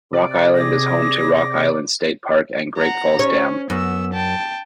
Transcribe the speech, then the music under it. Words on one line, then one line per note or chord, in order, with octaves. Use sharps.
Rock Island is home to Rock Island State Park and Great Falls Dam.
C3 D5
G#4 D6 A#6
F#5 A#5
C#4 C#5
F#2 B3 E6
G5 A5